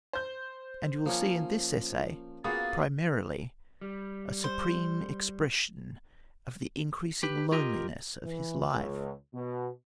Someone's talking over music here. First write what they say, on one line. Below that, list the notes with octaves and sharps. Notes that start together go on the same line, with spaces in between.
And you will see in this essay, primarily, a supreme expression of the increasing loneliness of his life.
C5 G6
F3 A#3 C#4
A#3 B3 F4 F#4 G#4 D#6 A6
G3
C5
G4 B4
F4 G4 A#4 D#5
E3
C#2
B2